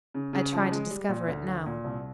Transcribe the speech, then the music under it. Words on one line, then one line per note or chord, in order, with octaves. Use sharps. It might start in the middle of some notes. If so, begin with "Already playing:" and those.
I tried to discover it now.
C#3
C#3
F3
G#3
G3
A#2
D2
D2
A#2
C2